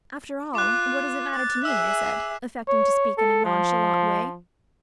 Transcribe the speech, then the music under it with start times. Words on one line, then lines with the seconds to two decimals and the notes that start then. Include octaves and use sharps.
"After all, what does it matter to me?" I said, affecting to speak in a nonchalant way.
0.55 F4 D6 F#6
1.35 A6
1.65 G#4 E5 E6
2.68 C#5
3.18 A4
3.45 F3